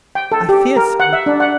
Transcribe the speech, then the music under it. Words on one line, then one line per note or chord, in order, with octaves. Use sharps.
"I fear so."
G5
A4
G4
A#4
F#5
E5
D4
F#5